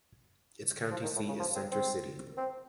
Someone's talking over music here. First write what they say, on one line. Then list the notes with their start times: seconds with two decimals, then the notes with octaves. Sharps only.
Its county seat is Center City.
0.91 F3
1.03 D#3
1.16 A2
1.28 C#3
1.40 F3
1.56 C4
1.72 C4
2.37 C4